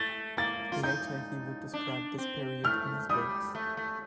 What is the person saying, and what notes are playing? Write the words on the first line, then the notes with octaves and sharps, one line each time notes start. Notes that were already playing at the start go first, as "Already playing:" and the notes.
Later he would describe this period in his works.
Already playing: A3 A6
A#3 A6
F4
D#4 G6
D4
C4
A3 F6
G3 D#6
A3
A3